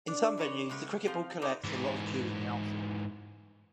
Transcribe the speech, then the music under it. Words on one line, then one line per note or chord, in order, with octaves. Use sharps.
In some venues, the cricket ball collects a lot of dew in the outfield.
D4
E3 A#4 C#5
C#3 G#3 A3 B3
F3 C4 F4 F5
F#3 C4 D#4 A#4 B4 D5
G#2 E3